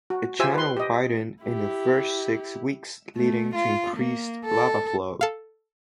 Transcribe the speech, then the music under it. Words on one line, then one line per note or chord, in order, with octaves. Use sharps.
The channel widened in the first six weeks leading to increased lava flow.
F#4
F4 G4 C5 E5 G#5 E6
B4 C6
G4 D#5
E4 G4
A3
F4
A#3
A4
A4 F5